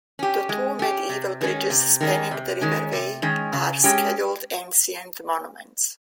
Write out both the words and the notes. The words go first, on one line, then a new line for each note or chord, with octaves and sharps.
The two medieval bridges spanning the River Wey are Scheduled Ancient Monuments.
C#4 G4
G#3
C#4 G4
C3
D#3 G#3 C#4
C3
D#3 G#3 C#4
C3
D#3 G#3 C#4
C3
D#3 G#3 C#4
C#3
G#3 C#4 G4